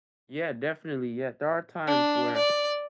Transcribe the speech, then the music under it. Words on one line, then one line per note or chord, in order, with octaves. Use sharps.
Yeah, definitely. Yeah, there are times where
D4
D5